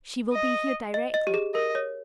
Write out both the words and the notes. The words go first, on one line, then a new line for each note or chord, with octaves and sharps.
"She will be here directly."
D#5
D#5
D#5
G4
G#4
A#4 D#5
C#5